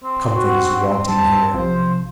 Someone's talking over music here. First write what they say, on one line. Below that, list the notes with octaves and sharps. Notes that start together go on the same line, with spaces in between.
Comfort is wanting here.
C4
F#4
G3 A5
B1 C3 F3 C5